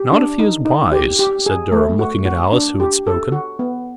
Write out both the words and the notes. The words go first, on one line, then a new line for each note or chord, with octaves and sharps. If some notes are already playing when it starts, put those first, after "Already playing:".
"Not if he is wise," said Durham, looking at Alice, who had spoken.
Already playing: G4
D4
D#4
D#4
G4
G4
G#4
A3
F#4
F#4
D4
G4
A4
F#4
B3